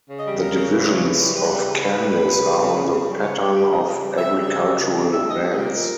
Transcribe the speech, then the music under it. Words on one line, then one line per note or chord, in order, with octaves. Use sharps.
The divisions of Kandis are on the pattern of agricultural lands.
C#3
D#5
G3
C#3 A#4
C#3
E3
C#3 C#5
E3
G3
G3 B4
C#3
C#3
C#3 B4
G3
G3
C#3
G3
C#3
C#3
C#3
G3
C#3 C#5
G3
G3
C#3 D#5
C#3
G3
G3 E5
C#3
E5
G3
C#3 D#5
C#3
G3
G3 E5
G3 D#5
G3
G#4
A#2 A#4
G#3